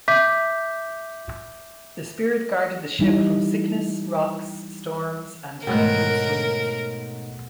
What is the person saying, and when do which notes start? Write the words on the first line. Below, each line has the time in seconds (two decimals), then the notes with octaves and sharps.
The spirit guarded the ship from sickness, rocks, storms, and dangerous winds.
0.08 E5 D6 G6 B6
2.99 E3 G3 D#4 E4
5.67 G#2 B2 A3 A#4 C#5 G5 F#6